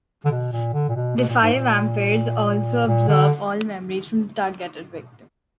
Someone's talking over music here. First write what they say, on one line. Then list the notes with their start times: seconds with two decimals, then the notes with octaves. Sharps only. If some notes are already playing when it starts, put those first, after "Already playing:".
The fire vampires also absorb all memories from the targeted victim.
0.25 D3
0.31 B2
0.52 A#2
0.73 D3
0.88 A#2
0.95 B2
1.17 B2
1.29 A#2
1.41 G#2
1.53 A#2
2.87 A#2
3.08 D3